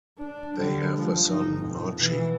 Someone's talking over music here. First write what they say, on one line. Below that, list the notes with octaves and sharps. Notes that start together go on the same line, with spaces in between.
They have a son, Archie.
D4
D3 G3
F3 G#3
G1 D#4
F2 B2
B2 E3